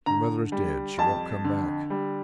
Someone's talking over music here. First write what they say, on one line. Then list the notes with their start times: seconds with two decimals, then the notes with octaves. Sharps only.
"Your mother is dead; she won't come back."
0.06 D3 A#5
0.52 G3
0.98 F2 A5
1.44 D3
1.90 G3